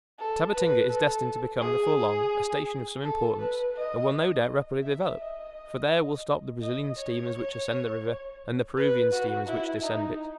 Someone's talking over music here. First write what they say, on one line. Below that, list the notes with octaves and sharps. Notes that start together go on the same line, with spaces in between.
Tabatinga is destined to become before long a station of some importance, and will no doubt rapidly develop, for there will stop the Brazilian steamers which ascend the river, and the Peruvian steamers which descend it.
A4
B4
A4
G#4
A4
B4
D#5
E5
D#5
D#5
C#5
B4
F#4
E4
D#4